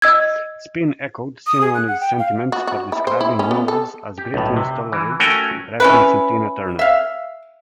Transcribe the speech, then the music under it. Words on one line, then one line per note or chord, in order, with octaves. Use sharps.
"Spin" echoed Cinquemani's sentiments by describing Knowles as "gritty and sultry", referencing Tina Turner.
D#5 E6 G#6
D#6
G#4
F#6
F#5
G5
F5
F#4
F#4
E4
C5
E4
C#4
B3
A4
G4
B1 A2
C3
E3
A3 C#4 F#4 A#4 G5 G#5
C#4 E4 B4
E5 F5